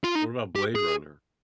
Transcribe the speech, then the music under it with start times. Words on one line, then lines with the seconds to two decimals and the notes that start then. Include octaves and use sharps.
What about Blade Runner?
0.04 F4
0.15 D#4
0.55 G4
0.75 G#4